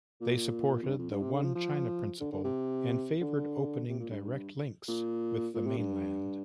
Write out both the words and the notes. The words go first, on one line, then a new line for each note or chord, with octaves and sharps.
They supported the One-China Principle and favored opening direct links with the mainland.
A#2
F2
G2
F2
G2
C3
D3
F3
F3
D3
D3
C3
D3
C3
A#2
G2
A#2
A#2
C3
G2